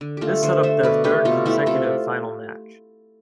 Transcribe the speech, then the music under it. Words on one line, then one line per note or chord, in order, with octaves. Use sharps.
This set up their third consecutive final match.
D3
A3 F4 G4 A4
D3 A4 C5
A3 C5 E5
B2 B4 D5
A3 G4 B4
B2 F4 A4
A3 E4 G4
C3 F4 A4